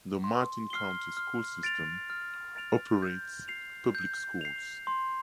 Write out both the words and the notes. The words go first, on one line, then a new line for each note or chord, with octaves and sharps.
The Martin County School System operates public schools.
C6
F6 C7 G7
F6
A6 D7 F7
F6
A6 D7 F7
G6
C7 F7
G6
C7 F7
C6